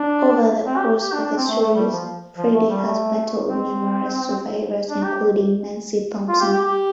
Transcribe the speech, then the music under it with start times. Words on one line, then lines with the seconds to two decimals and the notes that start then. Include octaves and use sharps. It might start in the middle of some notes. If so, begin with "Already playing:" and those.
Over the course of the series, Freddy has battled numerous survivors including Nancy Thompson.
Already playing: D4
0.66 C4
0.78 G4
1.02 G4
1.13 D4
1.25 D4
1.37 C4
1.49 A3
1.61 A3
1.75 G3
1.92 F3
2.38 F3
2.54 A3
2.70 G3
2.85 A3
3.48 C4
4.89 D4
5.04 G4
6.29 F4
6.41 G4
6.53 G4
6.65 G4